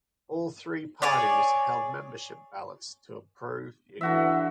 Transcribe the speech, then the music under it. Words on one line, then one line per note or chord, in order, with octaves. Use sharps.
All three parties held membership ballots to approve the agreement.
G#4 C#5 D5
D3 E3 F#4 E5